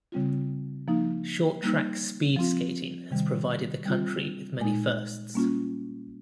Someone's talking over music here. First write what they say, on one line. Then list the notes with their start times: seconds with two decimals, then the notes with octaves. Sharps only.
Short track speed skating has provided the country with many firsts.
0.12 C#3 G3 C4 F4
0.88 F3 A#3 D#4
1.62 G3 A#3 D#4
2.36 F3 C4 F4
3.11 C3 D#3 G3
3.86 G3 C4 F4
4.60 A#2 G#3 D#4
5.34 G3 A#3 C#4 F4